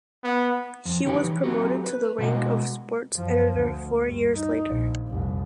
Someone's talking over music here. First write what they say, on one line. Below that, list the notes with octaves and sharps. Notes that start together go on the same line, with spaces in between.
He was promoted to the rank of Sports Editor four years later.
B3
F2
D#3 D#4 G4 B4 C#5
E3
F#3 A3 C4 F#4 G4
B4
B2 G#3 F#4 D#5
F#2 F3
D2
G2
D#4
A#1
F1 C2